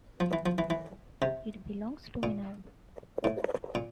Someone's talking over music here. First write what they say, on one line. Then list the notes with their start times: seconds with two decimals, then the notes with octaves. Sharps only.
It belongs to me now.
0.20 F3
0.33 E3
0.46 F3
0.58 E3
0.70 E3
1.22 C3
2.23 A#2
3.24 A2
3.75 A#2